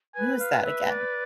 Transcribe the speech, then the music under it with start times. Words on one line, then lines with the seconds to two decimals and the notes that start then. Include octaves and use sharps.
Who is that again?
0.15 B4 G#5
0.40 F5
0.65 E5
0.90 D5